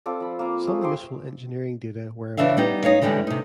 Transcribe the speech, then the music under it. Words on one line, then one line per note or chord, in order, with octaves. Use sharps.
Some useful engineering data were obtained from the flight.
C4 F4 A4 D5
F3 B5
A#3 C4 F5 D6
A3 G#4
C4 G4 C6 D6
C#3 E3 D4 E5 F5
G3 B3 D#4 G4
D#4 C#5 F5
D3 E3 G3 G#3 G4
C3 D#4